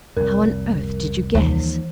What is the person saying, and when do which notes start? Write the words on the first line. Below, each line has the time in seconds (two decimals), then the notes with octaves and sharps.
'How on earth did you guess?
0.17 C2 F2 A#4
1.35 D#2 E3 F3